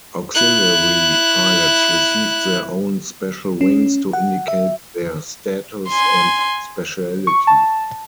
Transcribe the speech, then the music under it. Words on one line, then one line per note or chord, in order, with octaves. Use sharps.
Auxiliary pilots received their own special wings to indicate their status and specialty.
E4 F#6
C#4
F#5
E5
G#5 C6
C#6
A5